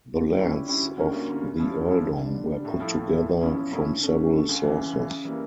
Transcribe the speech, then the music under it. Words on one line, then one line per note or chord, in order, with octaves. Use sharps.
The lands of the earldom were put together from several sources.
D3
G3 C#4 E4 G4
D3
G3 C#4 E4 G4
D2
D3 G3 A#3 C#4
D2
D3 G3 A#3 C#4
G2
F3 C#4 E4
G2
F3 C#4 E4
D3
G3 D4
D3
G3 D4
A2
F3 A3 E4
A2
F3 A3 E4
E2
C#3 F3 C#4 E4
E2
C#3 F3 C#4 E4
D3
A3 C#4
D3
A3 C#4
C#2
C#3 E3
C#2
C#3 E3
C#3
E3 G3 A#3